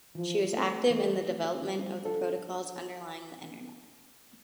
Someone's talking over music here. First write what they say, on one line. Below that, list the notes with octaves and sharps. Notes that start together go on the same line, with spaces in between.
She was active in the development of the protocols underlying the Internet.
E3 F3
A3 C4
E3 A3
A3 C4
F3 G3
D4 F4 A4